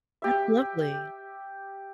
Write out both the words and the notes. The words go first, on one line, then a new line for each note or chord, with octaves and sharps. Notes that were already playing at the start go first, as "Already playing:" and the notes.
That's lovely.
G4 E5